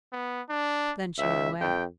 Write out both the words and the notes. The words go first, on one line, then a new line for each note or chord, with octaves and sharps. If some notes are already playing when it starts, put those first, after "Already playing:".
Then she went away.
B3
D4
C#2 E5
F2 G5